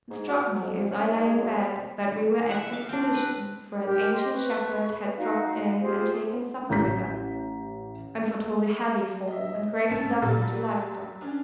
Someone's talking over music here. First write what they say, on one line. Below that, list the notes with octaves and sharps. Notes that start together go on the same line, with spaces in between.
It struck me, as I lay in bed, that we were acting foolishly; for an ancient shepherd had dropped in and taken supper with us, and foretold a heavy fall and great disaster to live stock.
G#2
F#4
F#3
F2
C3
C#4
D#3
G#3
F#3
C3
E5 F#5
F5
C4 D4
B4
G4 A#4
G4 D#5 C6
B4 C#6
D#4 F#4 F5
F4 G4 G#4 C5
A1 A#5 G6 B6
D#5 E5
G#1 C4 C#4 A5
A#2 F#3 G3 F4 A4
C#4 D4